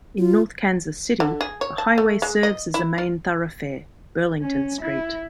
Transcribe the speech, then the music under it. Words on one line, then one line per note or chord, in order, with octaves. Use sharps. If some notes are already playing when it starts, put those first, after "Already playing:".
In North Kansas City, the highway serves as a main thoroughfare, Burlington Street.
F4
D3
G#4
C#5
A5
A3
G#3
D#5
E4
F4
C#4
E4